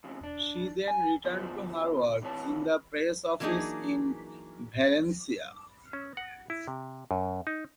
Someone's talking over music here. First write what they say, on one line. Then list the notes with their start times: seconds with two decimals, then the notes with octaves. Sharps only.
She then returned to her work in the Press Office in Valencia.
0.04 F2 C#3
0.24 D4
0.88 G#5
1.24 D3 B3 F4 F#4 C5
2.22 E2 C3 E3 C#5 A5
3.40 E3 F#3 A#3 D4 D#4 G#4
5.93 C#4
6.17 F#5
6.50 E4
6.68 C3
7.11 F#2
7.47 D#4